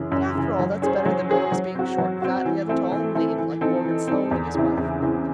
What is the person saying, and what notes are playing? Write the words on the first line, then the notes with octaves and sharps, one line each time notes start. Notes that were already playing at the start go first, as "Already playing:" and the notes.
But after all that's better than one of us being short and fat and the other tall and lean, like Morgan Sloane and his wife.
Already playing: F#2 C#3 E3
F#2
C#3 E3
F#3
C#4 G#4 C5
F#3
C#4 G#4 C5
F#3
C4 F#4
F#3
C4 F#4
E3
A3 C4 E4 A4
E3
A3 C4 E4 A4
E3
C4 D#4 A4
E3
C4 D#4 A4
E2
C#3 E3 C4 E4
E2
C#3 E3 C4 E4